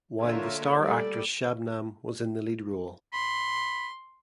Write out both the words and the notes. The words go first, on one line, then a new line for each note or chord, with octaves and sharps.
While the star actress Shabnam was in the lead role.
D3 A#3 F4 A#4 C#5 E5
G3 A3 A4 D5
B5 C6